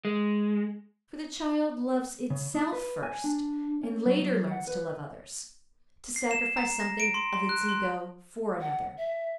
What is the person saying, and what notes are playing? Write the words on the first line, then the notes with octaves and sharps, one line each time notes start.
For the child loves itself first, and later learns to love others, to sacrifice something of its ego for another.
G#3
C#3
D#4
B4
G#5
D4
C#4
F#3
F#3
F#5
B4
C7
E7
A#5
A#6
D7
C6
C6
F#6
C6
F#5
E5